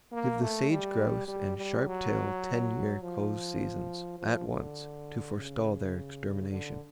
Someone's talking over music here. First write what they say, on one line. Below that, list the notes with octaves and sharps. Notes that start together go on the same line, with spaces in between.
Give the sage grouse and sharp-tail ten-year close seasons, at once, to forestall their extermination.
A#3
A3
G3
G3
G3
F#3
F3
F3
D3
C#3
D3